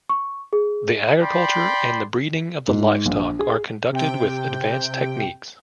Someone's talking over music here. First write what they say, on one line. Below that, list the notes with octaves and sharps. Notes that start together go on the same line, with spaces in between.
The agriculture and the breeding of the livestock are conducted with advanced techniques.
C#6
G#4
D5 G5 B5 C6
G#2
A#1
G#4
C3 G5